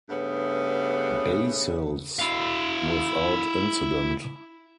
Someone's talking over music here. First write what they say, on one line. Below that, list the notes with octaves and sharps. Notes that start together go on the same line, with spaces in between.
Basil's without incident.
G2 C#3 A3 B3
E4 F5